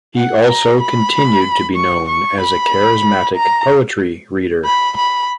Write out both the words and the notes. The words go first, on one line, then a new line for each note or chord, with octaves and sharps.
He also continued to be known as a charismatic poetry reader.
F#5
A#5
B5
C#6
C#6
B5
A#5
B5
B5